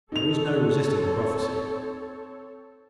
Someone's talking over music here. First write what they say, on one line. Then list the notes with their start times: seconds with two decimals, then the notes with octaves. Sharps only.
There is no resisting a prophecy.
0.12 C4 D#4 A4 C#5 F7